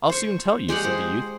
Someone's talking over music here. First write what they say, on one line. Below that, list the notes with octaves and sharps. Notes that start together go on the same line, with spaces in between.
I'll soon tell you', said the youth.
C5 C#6
G#3 G4 G#4 F#5
C5